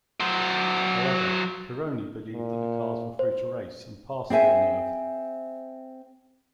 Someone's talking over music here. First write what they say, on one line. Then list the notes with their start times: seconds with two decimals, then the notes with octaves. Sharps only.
However, Pironi believed that the cars were free to race, and passed Villeneuve.
0.20 F#3 C5
2.33 A#2
3.19 C5
4.30 C4 G#4 E5 G#5